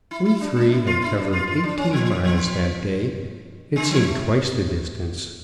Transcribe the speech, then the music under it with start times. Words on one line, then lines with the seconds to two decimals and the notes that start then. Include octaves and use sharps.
We three had covered eighteen miles that day; it seemed twice the distance.
0.11 E4
0.25 E4
0.41 D4
0.56 D4
0.72 E4
0.87 F4
1.02 E4
1.17 D4
1.33 F4
1.47 F4
1.63 D4
1.78 C#4
1.93 F3
2.24 F3
3.76 D3
3.91 F3
4.06 A3